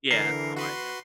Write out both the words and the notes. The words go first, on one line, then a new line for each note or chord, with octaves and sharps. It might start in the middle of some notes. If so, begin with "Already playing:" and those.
Yeah, that's how I am.
D3 E3 A#4 C7
F#4 B4 C6